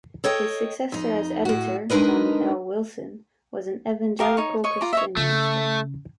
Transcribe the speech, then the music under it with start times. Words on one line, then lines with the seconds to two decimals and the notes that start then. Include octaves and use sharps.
His successor as editor, Johnny L. Wilson, was an evangelical Christian minister.
0.24 A4 C#5 D#5 G5
0.92 F2 D#4
1.45 A2 F#4
1.90 G#3 D4 D#4 A#4 B4 D#5
4.19 G4 A#4 F5 D#6
4.37 D#4 C#5
4.64 C#5 D#5 C#6
4.81 F4 A#5 D6
4.93 C#5 D#5 E5
5.17 C#3 A3